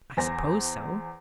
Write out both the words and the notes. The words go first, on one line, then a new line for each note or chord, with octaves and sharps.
"I suppose so."
E2 C5 G#5 A#6